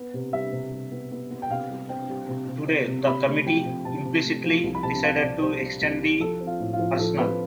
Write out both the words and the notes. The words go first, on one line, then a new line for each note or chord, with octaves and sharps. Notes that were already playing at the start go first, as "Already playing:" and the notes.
Today the committee implicitly decided to extend the arsenal.
Already playing: B3
C3
G3 E5
C3
G3
B3
B3
B3
G5
C3 F5
G3
C4 G5
G3
C3
C3
C4
C3
C3 B5
A3
F3 G5
C3
C3 A5
C3
A3
F3
C2
B5
C3 A5
C4 F5
C3 D5
G3 C5
G3
C2
G3
F3 A4
C4
F4
A2
F4
F3
F3 A4
C4 B4